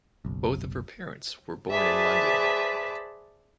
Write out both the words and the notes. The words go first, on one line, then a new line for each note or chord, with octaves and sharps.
Both of her parents were born in London.
F#1 B1
G#4 B4 C5 D5 E5 A5